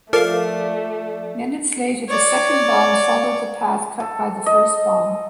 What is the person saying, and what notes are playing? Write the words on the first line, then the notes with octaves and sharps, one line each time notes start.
Minutes later the second bomb followed the path cut by the first bomb.
F3 A3 A4 A#4 D5 F5
C#5 D5
A4
D#5